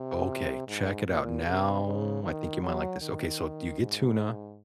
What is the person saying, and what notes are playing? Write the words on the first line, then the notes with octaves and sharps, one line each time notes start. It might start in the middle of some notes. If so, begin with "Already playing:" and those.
Okay, check it out, now, I think you might like this, okay so, you get tuna
Already playing: C3
G#2
A#2
C3
C#3
D#3
F#3
D#3
G#2